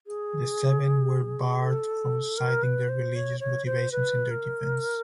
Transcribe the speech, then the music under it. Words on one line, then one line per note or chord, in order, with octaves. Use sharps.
The seven were barred from citing their religious motivations in their defense.
G#4
A4
A#4
B4
C5
C#5
C#5
C5
B4
A#4